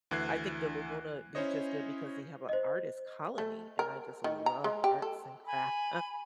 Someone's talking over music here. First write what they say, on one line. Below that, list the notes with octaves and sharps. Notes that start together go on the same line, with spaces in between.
I think the Laguna Beach is good because they have a artist colony, and I just love arts and crafts.
D2 E3 F#6 G#6 C7
C#4 E4 C5 C#5 D#5
C5 D#5
A3
A#4
D#3
A#5
G#3
G4
A4
G#5 B5